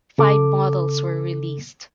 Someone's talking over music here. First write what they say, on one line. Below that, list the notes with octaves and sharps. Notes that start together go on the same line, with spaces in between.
Five models were released.
C#3 A4 D6